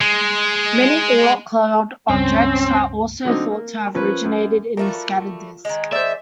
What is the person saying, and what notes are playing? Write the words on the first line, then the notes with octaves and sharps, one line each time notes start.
Many Oort cloud objects are also thought to have originated in the scattered disc.
G#3
C#2 G2 C4 C#4
D3 F#3 C4 D#4
A#3
F3 C#4 A#4 B4
F#2
G3 A3 F4 F#4 A#4
D#3 G#3
C5 D5 E5